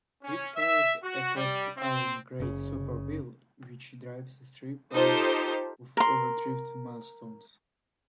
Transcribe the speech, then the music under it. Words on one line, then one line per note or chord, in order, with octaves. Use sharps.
This carries a cast-iron Great Spur Wheel which drives three pairs of overdrift millstones.
C#4
E5
F#4
G3
C4
F#1 C#3
D#4 F4 G4 A4 C5
A#4 C6